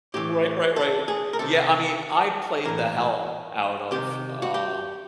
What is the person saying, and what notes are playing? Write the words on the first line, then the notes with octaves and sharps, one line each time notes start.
Right. Right. Right. Yeah. I mean, I played the hell out of, um,
A2 E3 G4
A4
G#4
A#4
C3 D#3 A4
A2 E3 A#4
C3 D#3 G4
F#4
G4